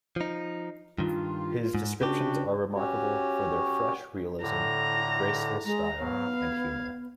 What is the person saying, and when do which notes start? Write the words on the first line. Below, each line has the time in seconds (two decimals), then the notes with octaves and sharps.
His descriptions are remarkable for their fresh realism, graceful style and humour.
0.16 F3 D#4
0.98 G2 D#3 F4
1.75 G#2
2.01 C#3 D4 F#4 G4
2.74 C#4 F#4 G4 C#5
4.42 A2 D3 A#5
5.65 G#3 A#5
6.00 G#2 F#3 B3 F5
6.42 G#6